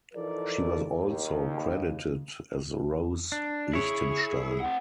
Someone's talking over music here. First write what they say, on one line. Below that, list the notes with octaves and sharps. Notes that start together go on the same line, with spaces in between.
She was also credited as Rose Lichtenstein.
E3 F3 D#4 A4 A#4 D5
D#2
D4
E4 G#4 C#5
C4 F#5